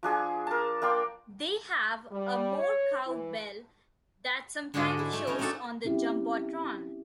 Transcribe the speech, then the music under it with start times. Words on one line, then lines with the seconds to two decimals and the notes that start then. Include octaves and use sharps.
They have a "more cowbell" that sometimes shows on the jumbotron.
0.03 F3 D4 G#4 G#5
0.47 A#4 A5
0.82 A#3 D5 G5 C6
2.11 G3
2.57 C#5
3.06 E3
4.74 G#2 D3 D4 F#4 G#4 D#5
4.97 E4 C5
5.13 A3
5.27 C#4 D#4 A#4
5.39 A3 C4 D4 D#4 F#4 A4
5.85 C4 C#4 E4 G4